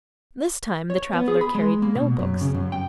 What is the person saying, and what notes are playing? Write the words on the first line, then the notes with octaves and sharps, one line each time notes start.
This time the traveller carried no books.
C#5
B3
G#4
B5
G#3
A#3
B2
F#2
C#3
F#2
G5